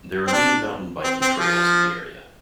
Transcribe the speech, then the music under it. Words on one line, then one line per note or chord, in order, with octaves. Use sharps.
There are many mountain biking trails in the area.
C4
D4
C4
C4
F3